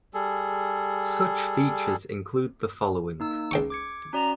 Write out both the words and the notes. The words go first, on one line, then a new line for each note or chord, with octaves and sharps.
Such features include the following.
G3 G#4 A4
A#3 D#4 E6
C#2 G5 C#6
D6 G#6 C#7
C#4 F#4 D5 A#5